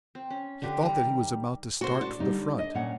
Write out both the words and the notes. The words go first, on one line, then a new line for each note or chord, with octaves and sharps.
He thought that he was about to start for the front.
C4
C#4
D3 G4 B4
D#3 G3 A#5
F#4 C5
D4
D3 G3 D#4
D#5
A#2 C#4 F#5